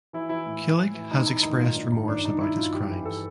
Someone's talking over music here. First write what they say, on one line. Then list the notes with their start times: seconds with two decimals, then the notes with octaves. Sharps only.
Killick has expressed remorse about his crimes.
0.13 E3 E4
0.29 E3 E4
0.46 A2
0.63 A2
0.78 E3
0.95 E3
1.11 A2 D#4
1.27 A2 D#4
1.43 D#3 D#4
1.55 F4
1.60 D#3 D#4
1.76 G2 D4
1.92 G2 D#4
2.08 D#3 D4
2.25 D#3 D#4
2.40 G2 E4
2.57 G2 F4
2.73 E3 G4
2.89 E3
3.05 A4